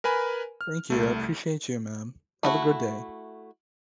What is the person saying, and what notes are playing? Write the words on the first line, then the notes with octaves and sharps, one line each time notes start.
Thank you, I appreciate you, ma'am. Have a good day.
A#4 B4 G#5 B5
F6
C2 A3
A3 E4 F#4